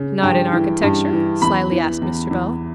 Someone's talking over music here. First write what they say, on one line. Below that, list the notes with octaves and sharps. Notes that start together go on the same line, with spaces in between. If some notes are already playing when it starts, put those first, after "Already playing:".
'Not in architecture?' slyly asked Mr. Bell.
Already playing: C#3
G2 G5
E3
G2
E3
E2 B5
E3
E2
E2